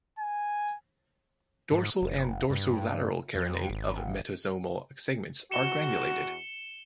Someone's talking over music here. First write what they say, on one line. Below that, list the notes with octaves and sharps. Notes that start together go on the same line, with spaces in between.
Dorsal and dorsolateral carinae of metasomal segments are granulated.
G#5
G#2
F#1
G2
F2
G#1
E2 F#4 C#7 E7 G7